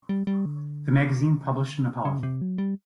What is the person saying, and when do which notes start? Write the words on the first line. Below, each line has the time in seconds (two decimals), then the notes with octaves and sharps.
The magazine published an apology.
0.09 G3
0.27 G3
0.45 D3
2.05 C#3
2.19 B2
2.23 C3
2.42 F#3
2.58 G3